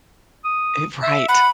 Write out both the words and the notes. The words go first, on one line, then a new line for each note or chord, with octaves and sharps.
It right.
D#6
E5
F#5 B5